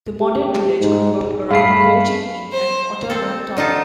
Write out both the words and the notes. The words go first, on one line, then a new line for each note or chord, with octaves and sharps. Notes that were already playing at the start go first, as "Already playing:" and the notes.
The modern village grew up around a coaching inn and Otterburn Tower.
G4
G#2
G2 A3 G#4 F5 B5 C7
C5
C4 A4
D3 D#4 F4 A5